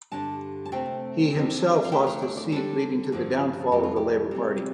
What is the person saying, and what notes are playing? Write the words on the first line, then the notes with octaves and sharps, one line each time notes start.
He himself lost his seat leading to the downfall of the Labour Party.
G2 D3 G3 D4 A5
A5
C3 A3 C4 G5
D3 F3 C4
F5
D3 A3 D4 G5
F5
D5
D5
D3 G3 D4 A4
G2 D3 F3
F2 C3 A3 G4
F4
G4
C3 G3 C4